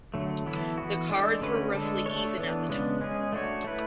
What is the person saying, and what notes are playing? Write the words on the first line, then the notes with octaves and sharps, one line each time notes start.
The cards were roughly even at the time.
D3 F#3 A3
E3 B3 E4 A4
E3 B3 F#4
G#3 D4 A4
D3 A3 C#4 F#4 B4
D3 G#3 D4 A4
A3 D4 A4 C#5
E3 B3 D4
C#3 G#3 B3 D4
G#3 C#4 G#4
A3 D4 F#4 C#5
A3 E4 B4